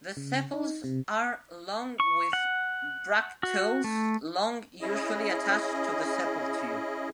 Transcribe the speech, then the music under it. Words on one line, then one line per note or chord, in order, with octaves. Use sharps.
The sepals are long with bracteoles long usually attached to the sepal tube.
C#3
D#4
C3
C#6
F#5
F#4
A3
C#4 E4 G#4 D#5